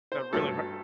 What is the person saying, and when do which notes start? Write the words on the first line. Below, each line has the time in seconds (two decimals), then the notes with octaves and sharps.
that really h
0.12 C5
0.33 A1 G2 F#3 A3 A4